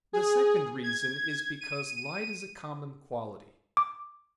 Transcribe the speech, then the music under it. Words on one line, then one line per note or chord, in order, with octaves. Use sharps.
The second reason is because light is a common quality.
G#4
G#6
D#7
D6